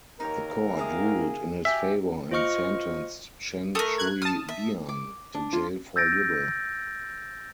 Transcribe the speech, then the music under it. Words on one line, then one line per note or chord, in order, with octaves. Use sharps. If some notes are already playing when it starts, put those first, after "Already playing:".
The court ruled in his favor and sentenced Chen Shui-bian to jail for libel.
D#2 D#4 A#4 C#5
G#4 E5 F5 D#6
F#4 G4 E5 G#5
F4 C5 D#5 C#6 F6 C#7
A3 A#4 D#6
F#6 G#6
A5 D#6 F6
E5
D6
D4
F4
E6 G6 A6 A#6 D7